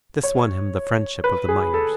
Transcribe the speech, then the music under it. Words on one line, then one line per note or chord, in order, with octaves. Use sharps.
This won him the friendship of the miners.
C#5
B4
G#4
A4